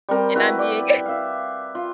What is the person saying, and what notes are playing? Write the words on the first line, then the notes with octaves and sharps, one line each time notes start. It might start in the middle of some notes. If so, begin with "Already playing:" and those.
and I'm being
G3 C4 A#4
E4 F#4 B4
G4 D5
E5 F5
F4